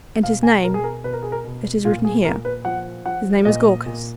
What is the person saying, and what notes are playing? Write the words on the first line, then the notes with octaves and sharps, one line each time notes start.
'And his name--it is written here--his name is Glaucus!'
B2 F5
G#5
B2 A#4
G#4
A#4
B2 B4
A#4
G#4
A#4
B2
A#2 F4
G#4
A#2 A#4
B4
F3 F#5
F3 F#5
A#2 D#5
A#2